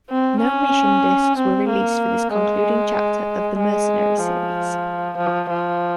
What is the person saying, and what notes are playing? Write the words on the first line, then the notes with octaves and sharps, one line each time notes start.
No mission disks were released for this concluding chapter of the "Mercenary" series.
C4
C#4
C4
A#3
G#3
G#3
F3
F3
F3